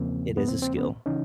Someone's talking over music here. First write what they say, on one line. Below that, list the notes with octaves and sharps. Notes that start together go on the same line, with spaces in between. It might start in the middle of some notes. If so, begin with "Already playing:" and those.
It is a skill.
Already playing: E2 C#3 F3 A#3 C4
B3
C4
C4
B3 C#4
C#3 E3 C#4 D#4